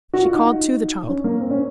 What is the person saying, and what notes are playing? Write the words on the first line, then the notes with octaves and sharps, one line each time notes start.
She called to the child.
F#4
F4
D#4
C#4
A#3
C4
C#4